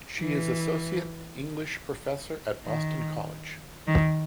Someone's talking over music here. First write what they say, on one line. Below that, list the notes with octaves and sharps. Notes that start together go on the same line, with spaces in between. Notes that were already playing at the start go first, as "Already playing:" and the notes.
She is associate English professor at Boston College.
E3
D#3
D#3